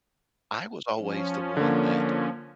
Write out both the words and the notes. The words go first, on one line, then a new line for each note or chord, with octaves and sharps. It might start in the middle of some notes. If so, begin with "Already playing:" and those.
I was always the one that
F3 C#4
D3 A#3